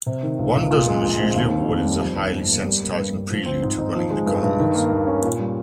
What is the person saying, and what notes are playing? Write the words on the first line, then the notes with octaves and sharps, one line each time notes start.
One dozen was usually awarded as a highly sensitizing prelude to running the gauntlet.
C3
D#3
C#2
C#2
A#2
G#3
A#1
C4
D#2
D#3
F1
G3
F2
D#3
G1
A#3
G3
A#3
G2
G2
F3
C4
G#2
D#4
F3
G#3
G2
G2
D#3
A#3
D#2
C#4
A#2
G3